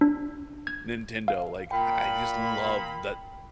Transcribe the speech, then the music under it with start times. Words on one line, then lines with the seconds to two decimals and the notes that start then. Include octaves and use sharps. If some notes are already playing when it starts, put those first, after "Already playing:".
Nintendo, like, I I just love tha
0.01 D4
0.67 G#6
1.28 F5
1.71 A#2 G5 B5